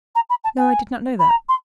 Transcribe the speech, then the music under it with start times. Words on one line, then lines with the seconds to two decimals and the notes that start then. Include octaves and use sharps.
"No, I did not know that."
0.15 A#5
0.29 B5
0.44 A5
0.58 G#5
1.19 B5
1.29 A#5
1.48 C6